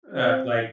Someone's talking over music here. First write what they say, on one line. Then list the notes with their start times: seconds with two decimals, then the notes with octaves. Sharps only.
Uh, like,
0.12 C4